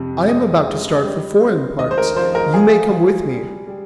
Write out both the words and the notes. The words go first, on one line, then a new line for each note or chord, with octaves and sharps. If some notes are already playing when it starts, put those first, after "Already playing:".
I am about to start for foreign parts, you may come with me.
Already playing: F2 C3
G#3 D#5
G#3
G3
C4
D#2 D#5
C5
A#4
F3 C5
A#4
F3 G#4
G#3
G3
G3